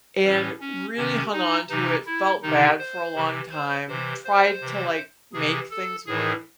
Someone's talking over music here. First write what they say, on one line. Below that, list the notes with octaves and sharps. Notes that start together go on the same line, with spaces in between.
and really hung onto it, felt bad for a long time, tried to, like, make things work
A2 E3 C#4
C#4
C3 D#3 C#4
D#4
C3 E3 D#4
E4
C3 D#3 D#4
C5
C3 E3
C5
C3 E3 C5
C5
C3 E3
C3 E3 G#4
A4
A2 E3 G#4